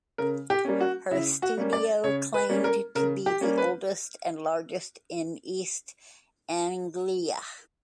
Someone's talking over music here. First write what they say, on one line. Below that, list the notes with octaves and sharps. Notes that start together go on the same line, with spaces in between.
Her studio claimed to be the oldest and largest in East Anglia.
C#3 A#4
G4
G3 A#3 C#4
F#4
C#3 E4
F#4
G3 A#3 C#4
D5
C#3 C#5
B4
G3 A#3 C#4
A#4
C#3 A#4
G4
G3 A#3 C#4
B4